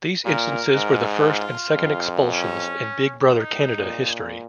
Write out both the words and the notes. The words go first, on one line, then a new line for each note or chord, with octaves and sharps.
These instances were the first and second expulsions in "Big Brother Canada" history.
A#2 A#4
G#2
F4
F2
C#4
D#4
A#2